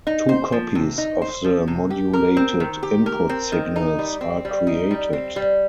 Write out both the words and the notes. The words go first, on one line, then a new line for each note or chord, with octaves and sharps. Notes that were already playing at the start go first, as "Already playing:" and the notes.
Two copies of the modulated input signals are created.
D#4
C5
F3
C3
D#4
C5
F3
C3
G4
A#4
C4
D#3
G4
A#4
C4
D#3
D#4
G3
C4
G3
D#4
G3
C4
G3